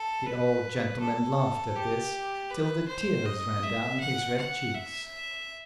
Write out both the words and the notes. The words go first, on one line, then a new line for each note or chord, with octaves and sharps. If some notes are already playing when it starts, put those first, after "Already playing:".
The old gentleman laughed at this, till the tears ran down his red cheeks.
Already playing: A4
B4
A4
G4
B4
C5
D#5
E5
F#5
F#5
E5